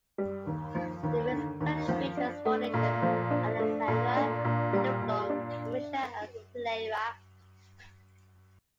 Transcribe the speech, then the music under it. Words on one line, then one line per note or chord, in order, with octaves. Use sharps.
The Mist Continent features four nations: Alexandria, Lindblum, Burmecia, and Cleyra.
G3
D#2
F3
D#2
D3
D#2
F3
D4
A3
A#2
F3
D4
A3
A#2
D4
A#2
G3
A#2
D4